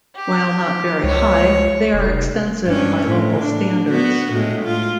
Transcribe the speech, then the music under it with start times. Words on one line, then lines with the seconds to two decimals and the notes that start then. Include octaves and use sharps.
While not very high, they are extensive by local standards.
0.16 G4
1.04 C#2 C#5
1.94 F1
2.66 G2 C#4
3.07 A2
3.39 D4
3.87 B3 F#4
4.33 A2 G#3
4.64 F4